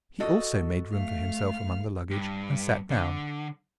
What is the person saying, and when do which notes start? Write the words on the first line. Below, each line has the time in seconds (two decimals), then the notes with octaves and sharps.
He also made room for himself among the luggage and sat down.
0.20 F#4 A4 D#5
0.92 A3 F5 F6
2.11 G2
2.91 D3